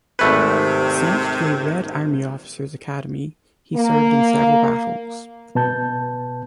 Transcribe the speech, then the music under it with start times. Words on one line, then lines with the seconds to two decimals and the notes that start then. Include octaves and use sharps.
Sent to a Red Army officer's academy, he served in several battles.
0.19 G#1 C3 A3 B4
3.75 A#3
5.55 B2 B4 A5 G6